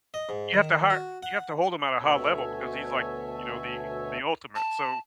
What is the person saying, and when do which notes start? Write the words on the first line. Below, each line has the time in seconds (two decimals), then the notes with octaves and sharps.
you have to hire you have to hold him at a high level, because he's, like, you know, the the ultimate, so
0.14 D#5
0.29 G#2
0.54 D#3
0.90 F#4
1.23 F#5
1.94 D2 B2 A4 C#5 E5 G#5
4.55 A5